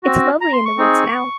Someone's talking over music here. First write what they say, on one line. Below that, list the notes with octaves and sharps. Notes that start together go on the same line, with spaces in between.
It’s lovely in the woods now.
C4 F#4
A#5
C6
C#6
C4 D#4 G#4